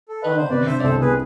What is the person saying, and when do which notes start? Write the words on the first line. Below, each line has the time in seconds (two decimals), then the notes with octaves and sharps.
Oh, awesome.
0.09 A4
0.22 B4
0.36 C5
0.50 C3 B4 D5
0.67 D4 C5 E5
0.78 D5
0.83 C2 A4 C5
1.01 C3 G#4 B4